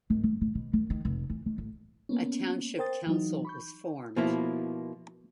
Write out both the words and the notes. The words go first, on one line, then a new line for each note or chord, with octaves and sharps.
A township council was formed.
G#1
G2
A#2
B2
F#2
D#3
F1
E3
D#3
A1
A#3 B3 C#4
A#4 C5 G5 D#6 A6
E3 F#3 D#4
B5 C#6 G6
B2 F3 A#3 E4